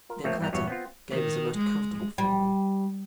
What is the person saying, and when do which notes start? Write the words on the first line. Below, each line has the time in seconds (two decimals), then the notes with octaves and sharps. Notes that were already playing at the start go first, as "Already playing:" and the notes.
Their clatter gave us a most comfortable feeling.
0.09 F4 A#4
0.24 F3 A3 A#3 C4 C#5
0.41 G1 G3 B3 A#5
0.52 G1 E2 G2 B3 F#4 C#5
0.68 B3 C4 F4
1.11 D#3
1.57 G#3
2.18 G3